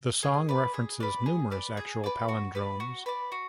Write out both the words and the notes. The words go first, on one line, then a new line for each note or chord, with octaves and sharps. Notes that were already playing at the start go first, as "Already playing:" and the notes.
The song references numerous actual palindromes.
G#4
B4 D5
G#4
B4 D5
G#4
B4 D5
G#4
B4 D5
F#4
B4 D5
F#4
B4 D5
F#4